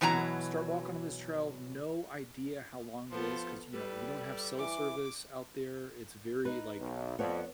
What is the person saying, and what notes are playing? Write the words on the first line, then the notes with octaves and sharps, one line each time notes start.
you know, start walking on this trail, no idea how long it is 'cause, you know, you don't have cell service out there. It's very like
B2 E3 F#3 G#5 A#5
F3 B3 F4 A4
G3 A4 B4
E3 D6
D#4 B4
B1
F2 B3 C#5 D5